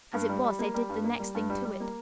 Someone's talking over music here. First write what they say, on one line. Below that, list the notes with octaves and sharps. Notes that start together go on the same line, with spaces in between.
As it was, they did the next thing to it.
G2
G3
G3
A#3
G3
G2
A#3
G3
G2
G3
G3
A#3